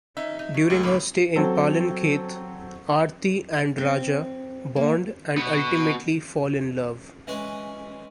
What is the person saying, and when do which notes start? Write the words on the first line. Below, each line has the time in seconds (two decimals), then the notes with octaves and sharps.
During her stay in Palankhet, Aarti and Raja bond and ultimately fall in love.
0.17 C#4 D#4 E5
0.39 D#4
0.54 F#3
0.70 C#2 A3 G#4
0.83 C#2 A2 D3 F3 A#3 B5
1.36 F#3 C4 A4
3.78 C4
4.76 A#3
5.38 B3 F#4
7.27 E3 G#3 C#4 G#4 B4